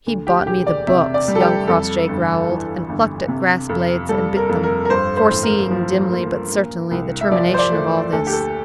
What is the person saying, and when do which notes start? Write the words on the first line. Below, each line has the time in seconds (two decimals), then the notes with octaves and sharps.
"He bought me the books," young Crossjay growled, and plucked at grass blades and bit them, foreseeing dimly but certainly the termination of all this.
0.06 D2
0.27 G4
0.47 E1 G4
0.67 D5
0.87 C3 E5
1.14 D5
1.28 G3
1.35 A4
1.41 G4
1.68 F2 A4
2.08 G1
2.49 E3
2.89 G1
3.28 C3
3.69 F2
4.09 G3 A4
4.36 A#4
4.49 F2
4.63 A#4
4.85 A#4
4.90 G2 C5
5.17 C5
5.30 A1
5.43 A#4
5.70 F3
6.11 A#3
6.51 A#2
6.91 C2
7.21 E5
7.31 F3 D5
7.54 C5
7.59 D5
7.72 A3
8.12 D2 A4
8.27 G4
8.32 A4